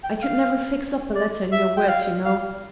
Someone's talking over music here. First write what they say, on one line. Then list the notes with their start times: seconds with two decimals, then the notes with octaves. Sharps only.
I could never fix up a letter in your words, you know.
0.04 G5
0.23 F5
1.16 D5
1.52 E5
1.77 G5
1.89 F5
2.25 F5